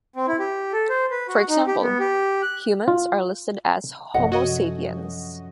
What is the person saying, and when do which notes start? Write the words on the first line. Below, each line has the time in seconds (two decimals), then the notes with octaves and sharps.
For example, humans are listed as "Homo sapiens".
0.16 C4
0.27 E4
0.39 G4
0.72 A4
0.89 C5
1.11 B4
1.28 F#4
1.49 D#4
1.67 G4
1.82 B3
1.99 G4
2.42 F#6
2.88 F4
4.14 A1 F#2 C3 F3 D#5 F#5
4.32 F#4 A4 C#5 D#5 C#7